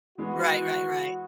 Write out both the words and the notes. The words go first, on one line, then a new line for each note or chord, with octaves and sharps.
Right, right, right.
E3 G#3 B3 F#4